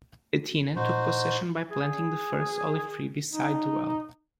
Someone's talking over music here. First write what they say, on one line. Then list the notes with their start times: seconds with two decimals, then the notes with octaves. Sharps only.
Athena took possession by planting the first olive tree beside the well.
0.76 A#2 D#4 F#4 C5
1.71 G#4
3.31 D#4